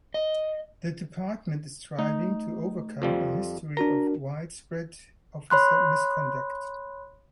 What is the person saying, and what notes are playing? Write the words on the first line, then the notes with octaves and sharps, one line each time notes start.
The department is striving to overcome a history of widespread officer misconduct.
D#5
A3 D#4
F2 F3 G3
D4 F#4 A#4 A#5
C#5 B5 C6 F#6